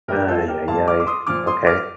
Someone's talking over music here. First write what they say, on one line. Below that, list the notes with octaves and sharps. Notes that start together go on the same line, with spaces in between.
Ay, ay, ay. Okay.
A#2 G3 G4 A#4
F4 A4
G4 A#4
A#2 G3 F5 A5
D6 F6
D6
C6 D#6
A#2 F3 D6 F6
C6 D#6
D6 F6